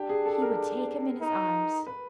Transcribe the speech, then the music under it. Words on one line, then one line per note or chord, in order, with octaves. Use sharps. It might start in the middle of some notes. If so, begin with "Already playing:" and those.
He would take him in his arms.
Already playing: D4 G4
G#4
A4
A#4
D#4
B4